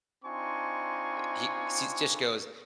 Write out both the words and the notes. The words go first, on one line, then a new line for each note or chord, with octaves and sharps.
uh, he sees just goes
C4 D4 D#4 F4 G#5 C#6